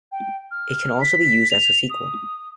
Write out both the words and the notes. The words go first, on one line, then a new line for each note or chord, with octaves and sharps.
It can also be used as a sequel.
G5
F6
B6
F7
D#6